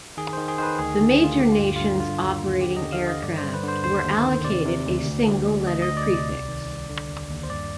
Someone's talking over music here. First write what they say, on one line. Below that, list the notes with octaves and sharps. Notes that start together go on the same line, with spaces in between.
The major nations operating aircraft were allocated a single letter prefix.
D#3 G#4
D#3 C5
G#4
D#3 B4 C5
D2 G#4
D3
D2 F4
D3 G4
F4
G2
G2 F4
D3 F4
D#2
D#2
D3 G4
D3 D#5
F5
D3
D#5
G2 D5
C5
G2
B4
D3 C5
D#2 C5
D#2
D#3
C3 D5
C3
D2
D2
D2
D2
D2 D#5
D#5
D2
D5
C3
D5
C2
D#3
C2
D3
D#2
D#2
C5
G2 D5